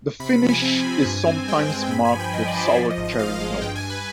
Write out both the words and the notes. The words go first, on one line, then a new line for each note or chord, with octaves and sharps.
The finish is sometimes marked with sour-cherry notes.
C3 B5
B5
F3
G#5
C4
C4
G2
C4
G#3 G5
C4 G#5
G2 B5
G#5
F3
G5
G2 D#5
D5
F3 C5
D5
F3 D5
D#5
G#1
D#5
F3 F5
D#5
G#3
F5
G2 G5
G#5
G2
B4